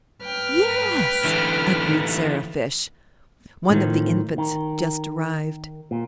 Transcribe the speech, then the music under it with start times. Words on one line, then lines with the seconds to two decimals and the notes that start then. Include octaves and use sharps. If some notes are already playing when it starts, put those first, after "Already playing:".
"Yes!" agreed Sarah Fish, one of the Infants just arrived.
0.24 B4 G5 F6
1.24 D3 E3 A3
3.70 A2 D3 D#3 F3
4.38 D#3
5.91 A#2